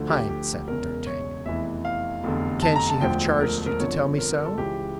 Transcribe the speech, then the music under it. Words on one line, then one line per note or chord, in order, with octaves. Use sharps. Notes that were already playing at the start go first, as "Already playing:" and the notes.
"HEIN!" said d'Artagnan, "can she have charged you to tell me so?"
Already playing: D2 D3 F3
G4
G4
E1 E2 C#3 A#4
C#5
F1 E2 E3 E5
F5
F1 E2 D3
A5
A#5
A5
E1 D2 D3 F3 G5
A#4
A#4
G1 F2 D3 F3 C#5
A#4
A#4
A4
C#2 C#3 E3 G4